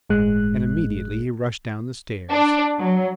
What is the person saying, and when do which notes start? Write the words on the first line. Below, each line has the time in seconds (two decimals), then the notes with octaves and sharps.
And immediately he rushed down the stairs.
0.09 G1 A2 G#3 F#6
2.31 D4
2.79 F#3